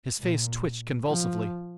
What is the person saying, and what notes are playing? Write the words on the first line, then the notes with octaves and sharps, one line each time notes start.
His face twitched convulsively.
A#2
F3